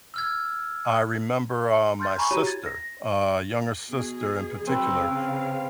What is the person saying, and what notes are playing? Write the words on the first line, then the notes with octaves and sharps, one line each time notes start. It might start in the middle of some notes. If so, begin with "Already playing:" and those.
I remember, um, my sister- uh, younger sister in particular-
E6 F6 G#6
C6 F6 G6 A6
G#5 A#5 B5 C#6
E4 F#4 G4 C#5 A#5 D#7
G#6 A6
A#6
B2 G#4
F#3 C4 B4
C#3 F5